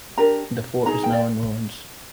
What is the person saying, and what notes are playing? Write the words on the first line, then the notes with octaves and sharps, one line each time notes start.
The fort is now in ruins.
D4 G4 A#4 A#5
D#4 G#4 A#5
G5
D5